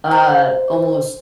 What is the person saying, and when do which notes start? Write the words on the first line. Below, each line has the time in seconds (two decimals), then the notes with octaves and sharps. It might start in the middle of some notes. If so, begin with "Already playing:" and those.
uh, almost,
0.11 C5 A#5